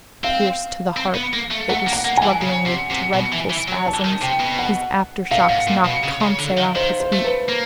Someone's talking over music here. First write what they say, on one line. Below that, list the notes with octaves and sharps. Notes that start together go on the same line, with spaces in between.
Pierced to the heart, it was struggling with dreadful spasms whose aftershocks knocked Conseil off his feet.
C4 F5
C4
B3
A#3
A3
A3 F#5
A#3
F#5
A#3
G#5
E3
C#3
C3
C3
B2
E3
E3
F#3
A5
D#3
C3 G5
B2
F#5
A#2 F5
G#2
A#2
B2
C#3
C#3
D3
D#3
D#3 C5
C5
A3
B4
A#3